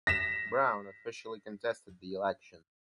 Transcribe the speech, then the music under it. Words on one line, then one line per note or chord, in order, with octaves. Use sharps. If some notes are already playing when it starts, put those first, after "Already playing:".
Brown officially contested the election.
A#6 B6 E7